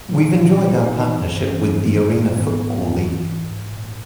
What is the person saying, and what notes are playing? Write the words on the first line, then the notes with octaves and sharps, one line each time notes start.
We've enjoyed our partnership with the Arena Football League.
A#2
A#2
A#2 C#4
E4
A#2
D#4
E3 D#4
G2
E3 C#4
G2
D#3
G#2
D#3 B3
G#2
E3
E3
G#2
G#2
A#2